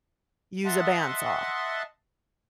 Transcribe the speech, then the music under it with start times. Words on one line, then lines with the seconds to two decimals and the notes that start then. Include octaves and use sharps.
use a band saw
0.66 D#5 E5 F#5 A5 C6